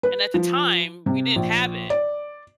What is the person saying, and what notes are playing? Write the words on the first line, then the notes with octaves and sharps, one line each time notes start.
and at the time we didn't have it.
B4
F3
C3
A#1
D5